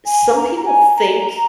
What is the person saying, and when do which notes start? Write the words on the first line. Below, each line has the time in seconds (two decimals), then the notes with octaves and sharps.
some people think
0.06 G#5
0.36 A#5
0.66 G#5
0.96 A#5